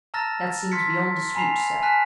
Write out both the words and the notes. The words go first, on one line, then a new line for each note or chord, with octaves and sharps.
"That seems beyond dispute, sir."
A5 A#5 E6 F6 A6 A#6
C6 F6 G#6 B6 C#7
G#5 A#5 B5 C7 F7
G#5 A5 F6 F#6 B6